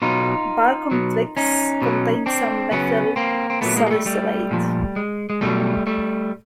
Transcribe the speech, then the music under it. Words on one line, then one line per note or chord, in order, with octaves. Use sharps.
Bark on twigs contains some methyl salicylate.
B2 F#3 D#4 F4
B2 F#3
C#4 D#4
B2 F#3
C4 D4
C#3 F#3 B3 C#4
A#3 C4
C4
A#2 F#3 A3 B3
G#3 A#3
A#3
G3 A3
G3 A3
A#2 F3
G#3
G#3
B2 F#3 G3 A3
G3 A3